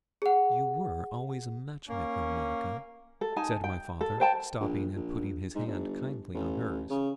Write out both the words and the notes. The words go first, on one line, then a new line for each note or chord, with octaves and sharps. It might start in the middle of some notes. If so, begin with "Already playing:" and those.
'You were always a match-maker, Monica,' said my father, stopping, and putting his hand kindly on hers.
G#4 F#5
A#3 C#4
A4
D#4 G#5 A5
G5
A4
C5 G5 A5
A#1
A#1
G#2
G1
A1
C#3